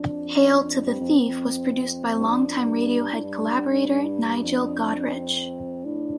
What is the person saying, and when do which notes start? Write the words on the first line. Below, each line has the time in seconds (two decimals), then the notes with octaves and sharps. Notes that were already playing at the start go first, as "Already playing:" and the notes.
"Hail to the Thief" was produced by longtime Radiohead collaborator Nigel Godrich.
Already playing: F2 D4
0.86 G2 C4
1.00 F2
1.28 F2
2.19 G2
2.29 F2 D4
2.65 G2
3.00 G2
3.11 A2
3.22 G2
3.71 D4
4.42 F2
5.14 C4
5.85 A2 D4